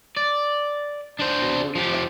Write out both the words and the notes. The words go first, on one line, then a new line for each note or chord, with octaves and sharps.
They were, tu
D5
D4 C5
F3 G4